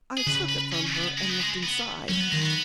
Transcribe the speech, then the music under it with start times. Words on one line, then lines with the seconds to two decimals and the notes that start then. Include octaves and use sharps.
I took it from her and looked inside.
0.17 G#4
0.26 C#3 B4
0.49 B4
0.72 C#4
0.95 B3
1.18 G#3
1.29 B3
1.41 G#3
1.63 B3
2.09 F#3 C#4
2.20 B3
2.31 D#3 G#3
2.41 B3